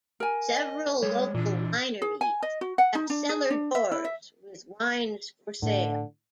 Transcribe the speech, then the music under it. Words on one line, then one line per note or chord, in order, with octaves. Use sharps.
Several local wineries have 'cellar doors' with wines for sale.
A#4 G#5
D#5
G3 G#3 C#5
A#2 E3 D4
G#4
G#5
D#5
F#4
F#5
D#4
D4
G#4
D4
E5
E4
E5
A2 D3